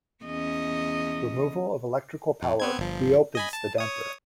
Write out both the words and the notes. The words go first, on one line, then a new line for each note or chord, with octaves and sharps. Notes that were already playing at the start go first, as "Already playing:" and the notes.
Removal of electrical power re-opens the damper.
E2 C#4 D#5
F2
B3 C4 G#6
G1 F3
D#5 G#5 B5
A5
C#5 D#6